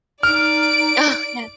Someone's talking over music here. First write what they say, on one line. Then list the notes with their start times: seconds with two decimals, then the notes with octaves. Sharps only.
Oh, yeah.
0.23 D#4 D5 F6 D7